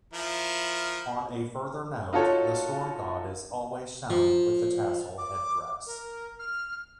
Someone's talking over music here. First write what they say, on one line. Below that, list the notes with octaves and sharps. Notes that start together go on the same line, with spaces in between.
On a further note, the Storm God is always shown with the tassel headdress.
F3 E4 A#4
D#4 F4 F#4 A4 C#5
F3
D6
A#4
F6